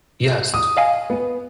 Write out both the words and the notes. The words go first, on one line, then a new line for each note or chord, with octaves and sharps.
Yes, t
D#6
D#5 F5 G#5
B3